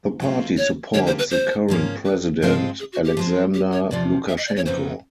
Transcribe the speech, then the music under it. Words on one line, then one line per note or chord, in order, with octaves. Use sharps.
The party supports the current president Alexander Lukashenko.
F#3 A3 C4 F4
C#5
D3 G3 A#3 D4 G4 C#5
C5
B4
C5
G#2 F3 A#3 C#4
B4
G#2 F3 G#3 C4 F4 A#4
G#4
F#4
G4
F3 G#3 C4
G4
C#5
E2 C3 F3 D5
E5
D#5
D5
C#5
F2 C#3 F#3 B3 D#4 C5